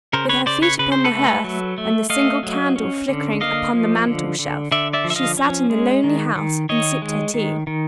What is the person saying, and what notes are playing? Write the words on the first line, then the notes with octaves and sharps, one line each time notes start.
With her feet upon the hearth and the single candle flickering upon the mantel shelf, she sat in the lonely house and sipped her tea.
C#3 A#4 C5
B4 C#5
C#3 C5 D5
B4 C#5
C#3 B4
C5
A4 B4
A3
F#3
A3
A3 D#5 F5
F#3
C#4
D3
A#3 D#5 F5
F3
D3
D3
D3 D5 E5
D5 E5
F3
E5
D#5 F5
C#4
G#3
D#3
D#3
D#3 C#5 D#5
G#3
D#3
D#3